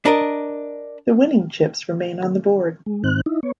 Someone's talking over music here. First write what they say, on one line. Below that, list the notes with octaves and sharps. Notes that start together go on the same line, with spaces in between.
The winning chips remain on the board.
D4 A#4 D#5
G#3
G#2 D#3 C4 F#6
D#4 E4
B3 C#5